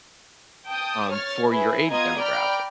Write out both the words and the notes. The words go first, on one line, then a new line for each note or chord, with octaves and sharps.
um, for your age demographic.
G5 A5 D#6
C#5 F6 A6
E4 G#4 B4
B3 F4 D#5 A#5 D#6 G#6
D5 G5 A#5 B5 F6 D7